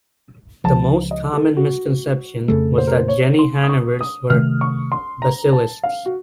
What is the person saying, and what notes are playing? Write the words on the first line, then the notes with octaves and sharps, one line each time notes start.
The most common misconception was that Jenny Hanivers were Basilisks.
C#2 C#3 F3 A5
D#5
A4
F#4
F2 C#3 A3 A4
C5
A#4
C5
C#5
C6
D#6
C#6
D#6
C3 D#3 A3 F6
C#6
C6
A#5
A5
F5
F#4